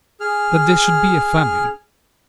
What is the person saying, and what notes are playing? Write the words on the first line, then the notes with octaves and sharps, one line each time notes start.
"That there should be a famine!"
G#4 F6